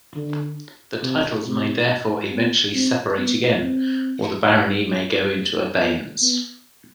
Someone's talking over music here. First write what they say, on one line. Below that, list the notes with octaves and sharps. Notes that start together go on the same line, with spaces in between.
The titles may therefore eventually separate again, or the barony may go into abeyance.
D3
C3
C3
B3
C4
B3
C4
B3
B3